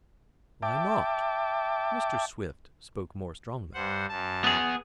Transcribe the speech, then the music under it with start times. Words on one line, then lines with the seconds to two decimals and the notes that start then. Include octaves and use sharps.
"Why not?" Mr. Swift spoke more strongly.
0.62 E5 G5 A5 D6
3.74 G2 C5 F#5
4.09 F#2 A5
4.44 B3 G#4